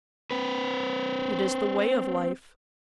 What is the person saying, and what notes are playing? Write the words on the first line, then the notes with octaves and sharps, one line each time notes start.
It is the way of life.
C4 B4